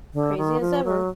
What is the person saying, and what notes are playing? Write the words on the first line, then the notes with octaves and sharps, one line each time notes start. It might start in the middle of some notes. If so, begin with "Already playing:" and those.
Crazy as ever!
D3
D#3
F3
F#3